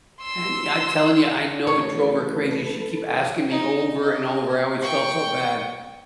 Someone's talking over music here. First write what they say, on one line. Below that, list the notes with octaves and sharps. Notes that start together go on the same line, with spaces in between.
And yeah, I'm telling you, I know it drove her crazy. She'd keep asking me over and over, I always felt so bad
C6 E6
A1 A4 B4 C#5
D#4
D#5
G5 C#6